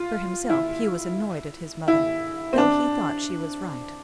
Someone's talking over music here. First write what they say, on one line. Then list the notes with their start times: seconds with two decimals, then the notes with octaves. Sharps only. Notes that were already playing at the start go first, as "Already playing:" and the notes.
For himself he was annoyed at his mother, though he thought she was right.
Already playing: F4
0.50 E4
1.88 E4
2.53 C4
2.58 D4